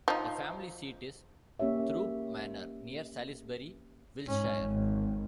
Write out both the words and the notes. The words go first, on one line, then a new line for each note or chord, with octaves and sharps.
The family seat is Throope Manor, near Salisbury, Wiltshire.
F3 D#4
A#3 C#4 G4 C#5 E5
G#2 C#4
G#1